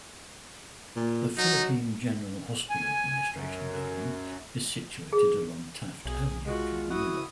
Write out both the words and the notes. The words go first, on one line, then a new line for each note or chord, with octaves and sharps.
The Philippine General Hospital Administration Building is situated along Taft Avenue in Manila.
A#2
F#3 D#4
G#5
F#2
G#4
B1 G#4
G#3 F4 F#4
E4 F#4 D#6